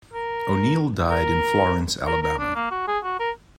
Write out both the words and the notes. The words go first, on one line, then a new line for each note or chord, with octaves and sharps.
O'Neal died in Florence, Alabama.
A#4
A#4
A#4
A#4
D4
A#3
F#4
G#4
F#4
A#4